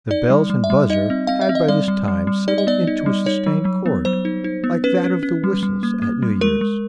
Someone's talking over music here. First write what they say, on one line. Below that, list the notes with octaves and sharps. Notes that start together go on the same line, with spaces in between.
The bells and buzzer had by this time settled into a sustained chord like that of the whistles at New-year's.
D#4 D5
G3
G3
E5
G3
D#4 D#5
C4
C4 F5
E5
C4
D#5
G3 D5
G3
G3
G3
D#4 D5
D#5
B3 D5
D#4
G3
D#4 C#5
F#3
F#3
B3
F#3 C5
D#4
D#4
B3
C#4 B4
C#4
C#4
G3
G3
A#3
A#3
G3
G#3 A#4
G#3